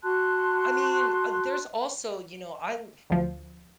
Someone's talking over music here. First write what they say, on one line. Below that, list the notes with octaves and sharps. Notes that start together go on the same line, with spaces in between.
I mean, uh, there's also, you know, I'll
F#4 A5 C6 F#6
D2 F3